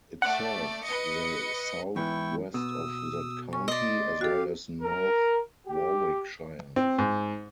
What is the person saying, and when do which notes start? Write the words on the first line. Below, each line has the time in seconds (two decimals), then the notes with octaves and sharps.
It served the south-west of that county, as well as North Warwickshire.
0.22 A3 D5 F#5
0.82 B4 D#5 C#7
1.96 E2 G#2 E3 E4 G5 C#6
2.54 B2 D#6 E6
3.53 C#4 C#6
3.68 D5 D#5 C6
4.21 F#4 G4 A4 F5
4.82 A#4
5.67 G4
6.76 C4
6.99 G#2